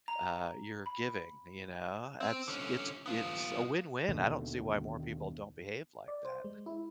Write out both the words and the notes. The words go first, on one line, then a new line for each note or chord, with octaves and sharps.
uh, you're giving, you know? That's it's it's a win-win. I don't see why more people don't behave like that.
A#5
B5
C4
D3 C#4
B3 F4
D#2 B2 D3 D#3
D5
C5
G#3
E4